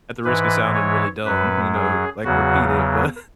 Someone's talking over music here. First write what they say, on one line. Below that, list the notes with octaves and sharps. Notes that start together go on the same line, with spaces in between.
at the risk of sounding really dumb, you know, like repeat it, but
G#2 E3 B4
C#5
F#2 F#3 B4
G#4
E2 C#3 F#3 F#4